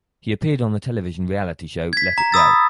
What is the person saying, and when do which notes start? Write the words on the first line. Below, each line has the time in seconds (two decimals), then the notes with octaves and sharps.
He appeared on the television reality show ""Let It Go!
1.93 G#6 B6
2.18 A#5
2.32 B5 D#6 E6 A6